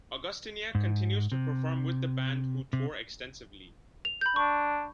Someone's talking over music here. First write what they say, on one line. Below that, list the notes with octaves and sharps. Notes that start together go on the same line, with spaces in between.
Augustyniak continues to perform with the band who tour extensively.
G#2
C3
C3
F7
B5 G6
D4 C#6